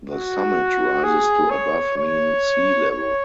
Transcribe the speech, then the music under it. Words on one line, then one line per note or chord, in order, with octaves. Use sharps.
The summit rises to above mean sea level.
F#4
G#4
C#5
C#5
C#5